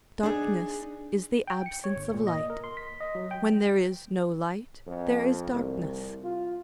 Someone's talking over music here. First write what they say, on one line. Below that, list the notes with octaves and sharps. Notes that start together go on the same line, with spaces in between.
Darkness is the absence of light: when there is no light, there is darkness.
D4 D#4 G#4
G5
C#7
C#5
G1
A#2
D#5
A#4
C6
B6
D#5
F#3
G5
F2
C2
F4